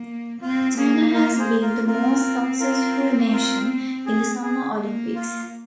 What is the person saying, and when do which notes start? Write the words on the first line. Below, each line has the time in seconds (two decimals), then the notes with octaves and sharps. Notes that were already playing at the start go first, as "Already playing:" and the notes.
China has been the most successful nation in the Summer Olympics.
Already playing: A#3
0.42 C4 F4
0.77 A#3 G#4
1.14 F4 A#4
1.39 G#4 C5
1.62 F4 A#4
1.87 C4 F4 A#4
2.60 F4 A#4
3.32 F4 A#4
4.06 G#4
4.42 G#4
4.79 A#3
5.15 F4